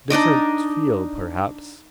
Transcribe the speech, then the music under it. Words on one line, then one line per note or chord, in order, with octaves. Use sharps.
Different feel perhaps.
D4 D#4 D5 D#5